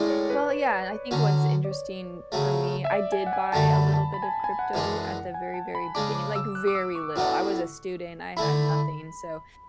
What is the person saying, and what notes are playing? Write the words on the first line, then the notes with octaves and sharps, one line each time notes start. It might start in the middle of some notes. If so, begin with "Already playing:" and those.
Well, yeah, and I think what's interesting, for me, I did buy a little bit of crypto at the very, very beginning like, very little. I was a student, I had nothing, so,
Already playing: A2 G#3 C#4 D5
C#5
B4
C#5
D3 F#3 C#4
D5
C#5
C#3 F#3 A3
E5
D5
G#5
F#5
G#5
F#2 D3 F#3 A3 A5
A5
B5
A5
B5
G#5
A5
G#5
F#5
F#2 E3 G#3 D4
G#5
A5
B5
C#3 G#3 D4 D6
D6
E6
F#6
D6
E6
C#6
A2 F#3 B3 D4
D3 A3 E4 B5